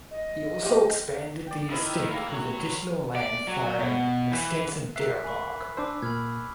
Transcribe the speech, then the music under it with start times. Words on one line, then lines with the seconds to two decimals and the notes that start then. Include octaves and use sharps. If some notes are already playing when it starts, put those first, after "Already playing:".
He also expanded the estate with additional land for an extensive deer park.
0.10 D#5
0.63 F4 G4 E5
1.47 D5 G5
1.70 D#3 E4 B5 E6
2.10 A#3 A#4 E5
2.29 F#3 C#5
3.16 D5
3.47 F#3
3.79 B2
4.32 E3
4.96 A#4 E5 F#6 B6 C7
5.24 G#5 B5 C#6
5.77 D4 C5 G#5 D6 E6
6.02 A#2 B5 F6 G#6